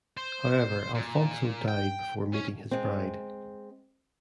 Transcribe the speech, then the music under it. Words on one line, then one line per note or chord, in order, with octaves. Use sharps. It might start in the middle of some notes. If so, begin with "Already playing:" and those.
However Alfonso died before meeting his bride.
C5
A#2
G5
C#4
G#3 C4